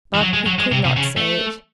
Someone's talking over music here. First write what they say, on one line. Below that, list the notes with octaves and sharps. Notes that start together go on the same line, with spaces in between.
But he could not say it.
E3
F#3
G#3
F#3
G#3
C3
C3
C#3
A3